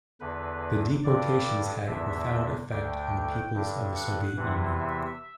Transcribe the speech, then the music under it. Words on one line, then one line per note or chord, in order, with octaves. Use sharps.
The deportations had a profound effect on the peoples of the Soviet Union.
E2 D3 B4
G2 D3 D5
E2 D3 E5
D2 D3 G5
G2 D3
F#5
E2 C3 E3
E5